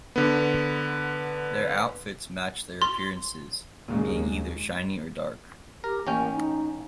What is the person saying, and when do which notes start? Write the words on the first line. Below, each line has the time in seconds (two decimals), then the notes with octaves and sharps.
Their outfits matched their appearances, being either shiny or dark.
0.16 D3 B3
2.82 C6
3.88 D#2 A#2 C#3 G#3 A#3
5.84 G4 A#4
6.07 A1 A#3 C#4 G5
6.33 D#4